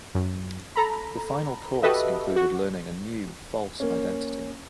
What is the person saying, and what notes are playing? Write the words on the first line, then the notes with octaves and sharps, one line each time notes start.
The final course included learning a new, false identity.
F#2
A4 A#5 B5
F#4 G4 A4 B4 D#5 E5
F#4
A#3 C#4